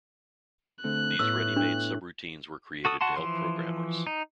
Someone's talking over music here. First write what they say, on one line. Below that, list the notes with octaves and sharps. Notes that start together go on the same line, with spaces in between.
These ready-made subroutines were created to help programmers.
D3 A3 C4 F#6
A2 B3 E6
D4
F#4 A4 D#6
F#4 F#5 A5 C6
E3 F3 C6
D#4